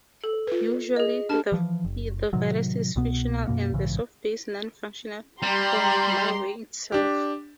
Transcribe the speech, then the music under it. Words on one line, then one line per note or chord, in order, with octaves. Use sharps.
Usually the virus is fictional and the software is non-functional or malware itself.
A4
F4 B4
G#4 D#5
D4 G4 A4 A5 F6
E3 F3
F#1
A2 C3 D#3 F#3
C2 B2 B3
F#2 B2 A#3
A#1 G#2 C#3 E3
G3 G4 A#5 C6
D4 G4